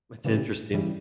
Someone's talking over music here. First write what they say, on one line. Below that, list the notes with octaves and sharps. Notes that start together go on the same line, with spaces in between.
It's interesting.
C#3 E3 G3
C#3 E3 G3